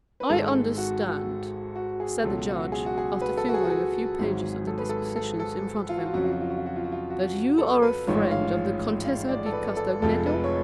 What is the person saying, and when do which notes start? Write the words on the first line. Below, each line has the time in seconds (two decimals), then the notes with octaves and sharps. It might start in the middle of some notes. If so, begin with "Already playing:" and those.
I understand," said the Judge, after fingering a few pages of the dispositions in front of him, "that you are a friend of the Contessa di Castagneto?
0.20 B4
0.29 G#1 G#2 G#3 A4
0.78 F#4
1.76 F#4
2.00 G#4
2.24 C#2 B2 F#3 A4
2.49 F#4
2.72 G#4
2.86 F#4
2.98 G#4
3.21 B4
3.37 A4
3.49 F#4
3.54 G#4
3.64 F#4
3.70 G#4
4.19 G#1 G#2 F#3
4.67 A4
4.78 B4
4.89 A4
5.16 A4
5.40 A4
5.89 F4
5.97 F#4
6.06 F4
6.13 F2 C#3 F#3 F#4
6.24 F4
6.32 F#4
6.41 F4
6.50 F#4
6.57 F4
6.66 F#4
6.76 F4
6.84 F#4
6.92 F4
7.10 F#4
7.58 A4
7.82 B4
8.07 A1 G#2 F3 G#3 C#5
8.31 F5
9.05 F5
9.29 D5
9.46 A4
9.53 B4
9.77 A4
10.02 F1 F2 F3 G#3 A4
10.26 B4
10.44 C#5